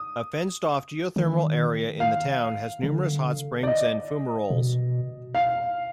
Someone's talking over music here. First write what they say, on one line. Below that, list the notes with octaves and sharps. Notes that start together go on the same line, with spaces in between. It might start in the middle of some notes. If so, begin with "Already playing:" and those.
A fenced-off geothermal area in the town has numerous hot springs and fumaroles.
Already playing: D#6
D#3
F5
D3
D5
D#5
B2
F5